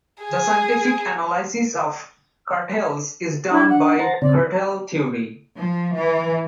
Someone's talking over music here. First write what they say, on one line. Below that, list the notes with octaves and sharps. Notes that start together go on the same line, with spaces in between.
The scientific analysis of cartels is done by cartel theory.
G#4
D4 E4
F#5
C5 A5 A#5
C#3 C4 D5
F3
E3